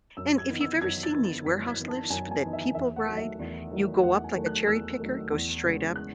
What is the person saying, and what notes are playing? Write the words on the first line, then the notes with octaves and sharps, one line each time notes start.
And if you've ever seen these warehouse lifts that people ride, you go up like a cherry picker, go straight up,
F#2 E6
G#6
E3 B3 D#4
E6
F#2 G#6
A6
E3 B3 D#4
A6
F#2 B6
G#6
E3 B3 D#4
A5
F#2 G#5
G#5
E3 B3 D#4
E5
E2 E5
F#5
D#3 F#3 A3
E5
E2
D#3 F#3 A3
E2 F#5
G#5
D#3 F#3 A3
F#6
E2 E6
D#3 F#3 A3
E2
C#3 G#3 B3
F#6